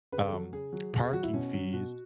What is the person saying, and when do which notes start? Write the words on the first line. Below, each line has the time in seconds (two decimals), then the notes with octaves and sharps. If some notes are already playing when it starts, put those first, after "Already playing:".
um, parking fees,
0.12 C#3 B4
0.26 A4
0.33 F#3
0.53 C#3 G#4
0.73 F#3
0.93 B2 G#4
1.04 G#4
1.13 F#3 F#4
1.23 E4
1.33 B2 C#4
1.54 F#3
1.73 B2 F#4